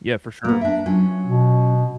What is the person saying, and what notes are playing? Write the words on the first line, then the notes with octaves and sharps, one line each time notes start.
Yeah, for sure.
A#3 B3
D4 E5
F#3 C#4 F4
B2